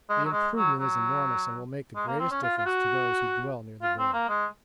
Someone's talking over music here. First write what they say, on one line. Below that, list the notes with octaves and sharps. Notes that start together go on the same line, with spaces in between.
The improvement is enormous and will make the greatest difference to those who dwell near the door.
G#3
F#3
G#3
F#3
F#3
G#3
A#3
C4
C#4
F4
F4
F#4
F4
C4
A#3
G#3